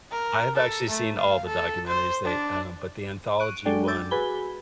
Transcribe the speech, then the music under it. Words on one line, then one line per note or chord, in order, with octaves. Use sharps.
I have actually seen all the documentaries, they um but the anthology one,
A#4
A4
A3
F5
A4
C5
D4
C#6 F#6 D7 D#7
F#3 G#3 D4 A4 D5 G5
D6 E6 G6 A6
F#4 G#4 B4 G#5 B5 G7